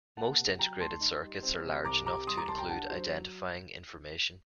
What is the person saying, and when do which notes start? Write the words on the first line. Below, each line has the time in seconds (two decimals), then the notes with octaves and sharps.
Most integrated circuits are large enough to include identifying information.
0.17 A#3 F#5 A5
0.39 C3
0.59 F#3 G5 A#5
0.80 D2 A5 C6
1.00 D#4
1.22 G3
1.43 C4
1.64 C3
1.84 C2 A#5 D6
2.06 C3 A#5 D6
2.27 G3 C6 D#6
2.37 A#5 D6
2.48 C2 A5 C6
2.58 G5 A#5
2.69 D4 F#5 A5
2.90 F#3 C5